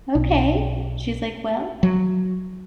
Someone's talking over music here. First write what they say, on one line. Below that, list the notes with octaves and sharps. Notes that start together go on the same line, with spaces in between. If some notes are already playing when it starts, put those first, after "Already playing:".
"Okay." She's like, "Well"
B1
F#3